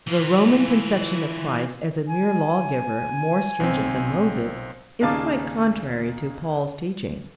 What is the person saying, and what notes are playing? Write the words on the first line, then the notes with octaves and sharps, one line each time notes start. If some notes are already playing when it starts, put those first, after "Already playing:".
The Roman conception of Christ as a mere lawgiver more stringent than Moses, is quite contrary to Paul's teaching.
E3 F4
G#5
B1 C4
D#2 A#2 C#3 F5 A5 D6